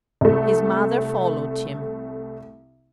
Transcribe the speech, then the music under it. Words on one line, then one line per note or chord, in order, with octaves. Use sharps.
His mother followed him.
C2 A3